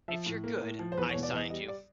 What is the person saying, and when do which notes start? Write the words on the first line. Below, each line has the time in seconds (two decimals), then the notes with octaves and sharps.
If you're good, I signed you.
0.08 F3 E5
0.26 A2
0.44 A#3
0.61 A2
0.79 F3
0.92 C5
0.97 E2 B4
1.10 C#5
1.14 B2
1.23 D5
1.32 E2 D#5
1.50 G3 D#5
1.68 D5